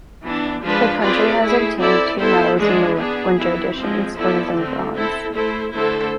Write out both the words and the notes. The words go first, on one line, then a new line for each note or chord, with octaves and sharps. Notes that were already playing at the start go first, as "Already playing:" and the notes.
The country has obtained two medals in the winter editions, both of them bronze.
E3 B3 D4
F3 G#3 D4 F4 B4
C4 F4 G#4 B4 D5
A3 E4 G#4
C4 E4 A4 D5
B3 E4 A4 C5
E3 G#3 D4 G#4
B3 D4 G#4
E3 B3 E4
F3 G#3 C4
F3 B3 E4 A4 D5
D3 A3 C4
C4 E4 A4
A3 E4 A4 C5
D3 A3 E4 A4 C5